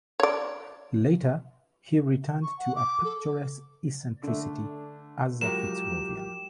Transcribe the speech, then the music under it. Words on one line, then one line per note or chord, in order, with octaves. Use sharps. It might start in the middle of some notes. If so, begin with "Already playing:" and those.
Later he returned to a picturesque eccentricity as a Fitzrovian.
C#5 D5
C#6
F#5
D6
A4
D3 A3 D4
F3 F#3 G#3 G4 A#4 E7